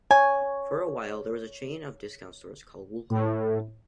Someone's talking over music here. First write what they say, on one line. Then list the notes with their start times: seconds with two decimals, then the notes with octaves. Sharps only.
For a while there was a chain of discount stores called Woolco.
0.11 C#5 G#5
3.10 A2